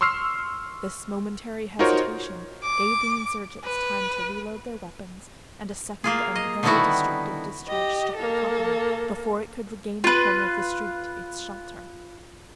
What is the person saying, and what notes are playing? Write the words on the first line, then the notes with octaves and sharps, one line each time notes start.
This momentary hesitation gave the insurgents time to re-load their weapons, and a second and very destructive discharge struck the company before it could regain the corner of the street, its shelter.
C6 C#6 E6 F6 C7
D#4 F4 F#4 A#4 C5 C#5
D6
B4
A#3 F4 G#4
D#5
D3 D#3 G3 B3 E4 F#4
G4 D#5
A#3 A4
F4 B4